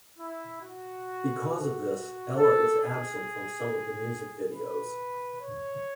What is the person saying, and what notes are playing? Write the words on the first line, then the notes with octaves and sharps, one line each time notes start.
Because of this, Ella is absent from some of the music videos.
E4
F#4
F#4
A4
G#4
B4
C#5